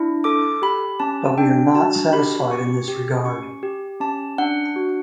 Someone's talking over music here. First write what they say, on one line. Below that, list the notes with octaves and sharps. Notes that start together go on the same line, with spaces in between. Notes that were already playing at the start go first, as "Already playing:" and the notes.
But we are not satisfied in this regard.
Already playing: D4 E4
A4 D6
G4 B5
C#4 A5
D4 G5
F#4 A5
G4 B5
C#4 C#6
G4
C#4 C#6
G4
C#4 A5
D4 F#5
F#4